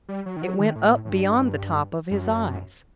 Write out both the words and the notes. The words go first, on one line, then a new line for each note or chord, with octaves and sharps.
It went up beyond the top of his eyes.
G3
F#3
D#3
F#3
D#3
A2
A2
G2
F#2